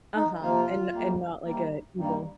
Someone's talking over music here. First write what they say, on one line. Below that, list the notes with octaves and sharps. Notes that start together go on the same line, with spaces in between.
Uh-huh, and and not like an evil
D#4
C3 F3 A#3 F4
F2 C3 G3 A#3
C3 G3 A#3
G2 D#3 G3 A#3